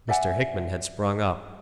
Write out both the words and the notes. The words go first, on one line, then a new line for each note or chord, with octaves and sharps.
Mr. Hickman had sprung up.
D5 E5 F#5 G#5